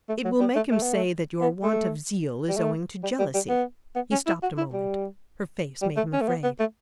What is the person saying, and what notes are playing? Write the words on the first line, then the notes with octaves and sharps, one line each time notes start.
"It will make him say that your want of zeal is owing to jealousy." He stopped a moment; her face made him afraid.
A3
F#3
G3
A3
A3
B3
A3
B3
A3
G3
A3
G3
G3
G3
B3
B3
C#4
E4
F#4
E4
G3
G3
A3
C#4
A3
B3
B3
A3